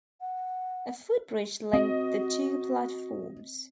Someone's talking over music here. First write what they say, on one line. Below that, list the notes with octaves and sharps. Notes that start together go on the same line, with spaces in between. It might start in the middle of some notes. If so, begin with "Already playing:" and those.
A footbridge linked the two platforms.
F#5
C4 F#4 D#5